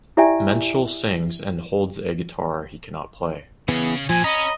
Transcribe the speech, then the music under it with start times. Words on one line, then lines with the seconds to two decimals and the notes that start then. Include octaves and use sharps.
Menschell sings and holds a guitar he cannot play.
0.17 E4 G4 D5 E5 G5 G#5
3.68 C#3 E3 B3 C#4 G#4
4.09 A#2 F3 G#5
4.24 C#4 D#5 A#5 B5